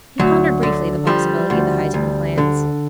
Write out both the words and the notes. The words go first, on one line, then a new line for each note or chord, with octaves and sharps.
He pondered briefly the possibilities of the Huysman plans.
D2 F#3
D3
F3 G3
D2
D2
D3